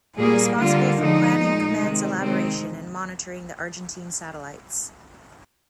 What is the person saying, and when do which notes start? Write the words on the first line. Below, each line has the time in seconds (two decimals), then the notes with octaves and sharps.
Responsible for planning, commands elaboration and monitoring the Argentine satellites.
0.17 A#2 G3 A#3 G#4
0.57 D3 G3 A#3 F4
0.98 D3 F3 G#3 D#4
1.39 A#2 G#3
1.79 C3 D#3 G#3
2.20 D#3 G#3 C4